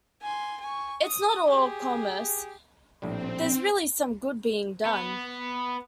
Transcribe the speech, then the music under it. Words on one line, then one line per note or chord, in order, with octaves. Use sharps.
It's not all commerce- there's really some good being done.
G#5 C6
G#5 C#6
D#6
G4 G#4
A#1 A2 G3 C4
B3